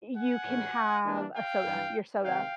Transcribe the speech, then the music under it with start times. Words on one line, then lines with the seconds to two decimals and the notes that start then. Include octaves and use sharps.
you can have a soda your soda,
0.14 F#5 G#5
0.44 A2 E3 G#3 C#4
1.04 E3 G3 A#3 D4
1.33 F5 G5
1.63 G2 E3 G3
2.23 C3 D#3 G#3 C4 D#4 F5 G5